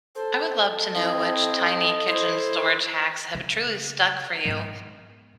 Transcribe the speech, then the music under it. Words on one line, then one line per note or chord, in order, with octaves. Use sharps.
I would love to know which tiny kitchen storage hacks have truly stuck for you
A4 C5
C4 E4 D#5
E4 C5
C#3
G#2 B3